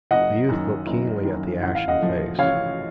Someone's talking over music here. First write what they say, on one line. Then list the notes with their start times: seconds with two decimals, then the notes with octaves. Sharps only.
The youth looked keenly at the ashen face.
0.11 F#1 D#5 F#5
0.49 F#2 D#3
0.86 F#1
1.25 F#2 D#3
1.62 A1 F#5
1.75 F5
1.88 D#5 F#5
2.00 A2 F3
2.39 A1 C#5 F5